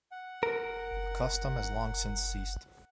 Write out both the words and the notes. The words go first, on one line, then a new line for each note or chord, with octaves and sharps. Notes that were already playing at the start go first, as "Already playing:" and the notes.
The custom has long since ceased.
F#5
A#4